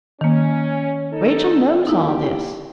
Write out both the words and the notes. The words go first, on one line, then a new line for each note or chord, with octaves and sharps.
Rachel knows all this.
D#3 A#3 C#4
D#4 A4
A#3 D#4 E4 G4